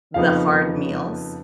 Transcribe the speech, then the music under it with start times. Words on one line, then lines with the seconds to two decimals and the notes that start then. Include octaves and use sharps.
the hard meals,
0.14 F#1 F2 F3 B3 D#4 F5